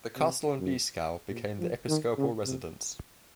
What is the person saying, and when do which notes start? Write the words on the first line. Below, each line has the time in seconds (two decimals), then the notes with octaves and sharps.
The castle in Beeskow became the episcopal residence.
0.16 C3
0.59 F#2
1.30 A#2
1.59 F3
1.88 D#3
2.18 C#3
2.46 C3